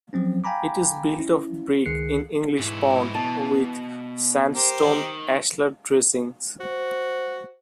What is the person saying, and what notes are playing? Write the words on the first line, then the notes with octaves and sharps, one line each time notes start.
It is built of brick in English bond with sandstone ashlar dressings.
F3 F#3 C4 C#4
F5 G5 G#5 A#5 B5 D6
C#4 E4
C#2 D#3 G#4 F#6 C7 C#7
G#2 E3 E4
B2 A5
G4 A#4 C5
D#3
F#4 C5